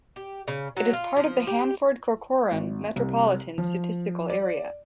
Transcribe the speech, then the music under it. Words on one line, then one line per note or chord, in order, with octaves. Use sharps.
It is part of the Hanford-Corcoran Metropolitan Statistical Area.
G4
C#3
F#3
F4
F3
G4
G#1
C2
F3
D5